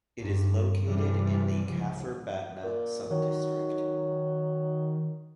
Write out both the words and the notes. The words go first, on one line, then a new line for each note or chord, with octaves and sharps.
It is located in the Kafr Batna subdistrict.
G1 G2
G2 C3 E3 G3
C#2 F3
A#2
D#3 F#3